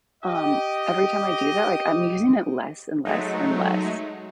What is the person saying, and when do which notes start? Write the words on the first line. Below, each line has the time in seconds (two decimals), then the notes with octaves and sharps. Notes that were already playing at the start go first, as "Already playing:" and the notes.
um, every time I do that, like, I'm using it less and less and less.
0.24 G4 D#5
3.05 F#3 G#3 A3 D#4